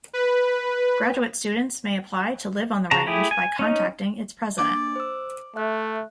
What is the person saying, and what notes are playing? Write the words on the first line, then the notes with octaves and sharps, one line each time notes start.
Graduate students may apply to live on the Range by contacting its president.
B4
C#3 F#4 A5 A#5
A3 E4 G4 G#4
G#5
C#4 D#4
A#3 D4 D5 A6
C5 E6
A3 E5 F#6